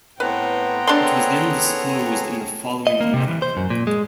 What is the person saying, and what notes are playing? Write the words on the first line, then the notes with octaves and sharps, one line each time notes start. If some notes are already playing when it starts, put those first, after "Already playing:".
It was then disclosed in the following manner.
A2 B3 C4 B4 F#5 G5 A#5
D4 G#4 A4 C#5 A5 C6
D#5
A#3
C3
E3
C5
F#2
A#2
G#3